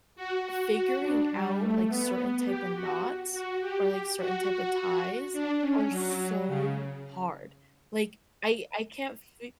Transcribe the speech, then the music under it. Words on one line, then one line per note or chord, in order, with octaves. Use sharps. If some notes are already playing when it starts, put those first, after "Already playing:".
figuring out, like, certain type a knots or, like, certain type a ties are so hard, like, I I can't fi
F#4
F#4
F#4
D4
G3
A3
B3
G4
F#4
F#4
G4
F#4
D4
C#4
F#3
C#3